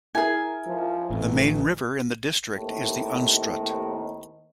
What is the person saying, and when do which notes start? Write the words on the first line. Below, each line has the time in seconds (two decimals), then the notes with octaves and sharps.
The main river in the district is the Unstrut.
0.15 E4 G#4 A#4 G#5
0.67 F3
1.10 A1 F2
2.57 D#2 A2 C3 D#3